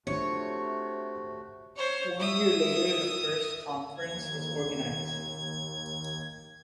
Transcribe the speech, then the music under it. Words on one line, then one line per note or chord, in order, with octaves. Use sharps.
One year later the first conference was organized.
C3 A3 D4 F4 F#4 C#5
C5 C#5
E5 D#6
D#2 G#6